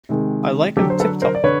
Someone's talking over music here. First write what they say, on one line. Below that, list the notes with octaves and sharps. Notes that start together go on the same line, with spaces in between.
I like 'em tip-top.
C3 D#3 G#3
D3 F#3 G4 A4
C5
A4 B4
A#4 C5
D5
D3 B4 C#5